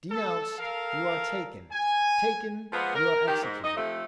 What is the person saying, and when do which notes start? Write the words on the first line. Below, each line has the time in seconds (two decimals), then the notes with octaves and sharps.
Denounced, you are taken; taken, you are executed.
0.11 A4
0.59 A4 A#4 F5
1.72 G#5
2.72 F3 G#3 A#3 B3
2.95 A#4
3.27 D#3 G4
3.42 G#2
3.64 D#4 D#5
3.77 C3 F3 A3